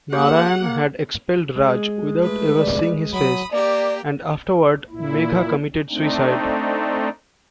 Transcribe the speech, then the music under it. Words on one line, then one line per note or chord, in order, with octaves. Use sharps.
Narayan had expelled Raj without ever seeing his face, and afterward Megha committed suicide.
A#3 G4 G#4 C#5 F#5
A#3
G#3
A3 B4
D5
F#3 B5 D#6
A#3 G4 D5
A#2 E4
A3 C4 D4 D#4